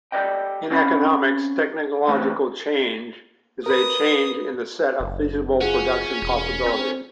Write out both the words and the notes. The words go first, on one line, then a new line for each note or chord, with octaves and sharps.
In economics, technological change is a change in the set of feasible production possibilities.
G4 A4 B4 D5 D#5 G5
C4 C#4 A#4 F5 F#5 B5
D3 E3 A3 C4 A#4 B4
A#4 B4 D#6
F#1
C#4 F4 G#4 F#5
E1
C4